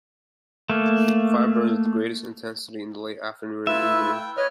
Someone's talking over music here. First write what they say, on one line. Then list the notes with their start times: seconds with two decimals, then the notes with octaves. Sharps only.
Fires burn with the greatest intensity in the late afternoon and evening.
0.70 A3 A#3
3.67 A3 E4 F4 B4 E5 E6
4.12 G5
4.37 B4 C#5 D#5 F6